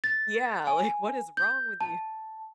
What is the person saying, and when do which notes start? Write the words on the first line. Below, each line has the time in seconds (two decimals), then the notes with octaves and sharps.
Yeah, like, "What is wrong with you?"
0.04 A6
0.67 G#5
1.37 G6
1.81 A5